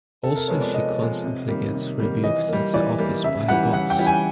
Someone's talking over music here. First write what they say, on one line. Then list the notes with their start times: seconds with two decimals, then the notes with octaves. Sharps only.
Also she constantly gets rebuked at her office by her boss.
0.24 C3 A4
0.36 A#4
0.48 F3 G#3 B3 C#5
0.61 D5
0.74 C3 D#5
0.98 F3 G#3 B3
1.24 C3
1.48 D#3 G3 A#3
1.73 C3
1.98 D#3 G3 A#3
2.23 E3 D#5
2.48 G3 A#3
2.74 E3 D5
2.98 G3 A#3
3.23 C#3 E5
3.48 E3 G3 F#5
3.73 C#3 F#5
3.90 G5
3.99 E3 G3
4.07 G#5